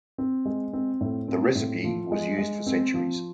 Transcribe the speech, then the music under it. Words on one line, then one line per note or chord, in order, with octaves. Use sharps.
The recipe was used for centuries.
C4
G#3
C4
A2
C4
A2
F3
G#3
G#3
C4
F3